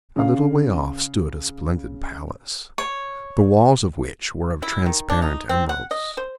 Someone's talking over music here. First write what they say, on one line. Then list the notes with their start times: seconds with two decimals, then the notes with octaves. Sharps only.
A little way off stood a splendid palace, the walls of which were of transparent emeralds.
0.16 C#3 F5
2.78 C#5
4.62 E4
4.86 D#3
5.10 D4
5.22 D#4
5.49 C4
5.69 F#5
5.91 D#5
6.17 C5